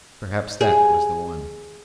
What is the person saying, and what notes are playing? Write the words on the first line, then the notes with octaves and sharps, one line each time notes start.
Perhaps that was the one.
G#4